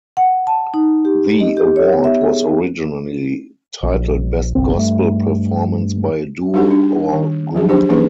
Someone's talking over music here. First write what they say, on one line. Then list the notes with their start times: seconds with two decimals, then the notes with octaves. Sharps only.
The award was originally titled Best Gospel Performance by a Duo or Group.
0.17 F#5
0.47 A5
0.74 D#4
1.05 G4
1.40 D#5
1.57 G4
1.76 C#5
1.93 B3
2.04 E5
2.21 G#4
3.83 A#1
4.55 G1 C2 C4
4.76 G2 A3
6.54 G3 D4 D#4 F#4 G4
6.71 D4
7.13 D#3
7.55 F3 F#3 G#4
7.69 D4 G4 C5
7.89 E3 A#3 C#4 D#4 G#4 B4